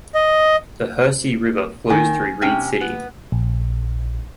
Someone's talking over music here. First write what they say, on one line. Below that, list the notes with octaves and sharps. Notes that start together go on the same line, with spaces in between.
The Hersey River flows through Reed City.
D#5
D#3 G#5
C3 C#4 G5
B3
A#1